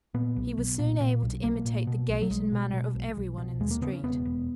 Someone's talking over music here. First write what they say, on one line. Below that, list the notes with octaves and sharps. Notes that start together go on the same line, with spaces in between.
He was soon able to imitate the gait and manner of everyone in the street.
A#2 B3
B1
B1
A#2
A#2
B1
B1 A#3
A#2
B2
B1
F#3
B1 G#3
B2
B2
B1
B1
B2
D#2 G#3
A#3
C#3 B3
C#4
E1 B3
E1